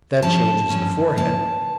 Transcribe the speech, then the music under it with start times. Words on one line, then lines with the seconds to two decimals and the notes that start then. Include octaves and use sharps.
That changes the forehead.
0.22 G2 F3 C#4 A5
0.70 G2 F3 C#4
1.17 C#3 F3 A#3 E4 A5